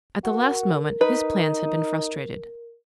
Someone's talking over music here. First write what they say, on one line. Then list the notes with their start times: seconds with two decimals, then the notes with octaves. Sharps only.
At the last moment his plans had been frustrated.
0.24 F#4 A#4
1.01 D#4 B4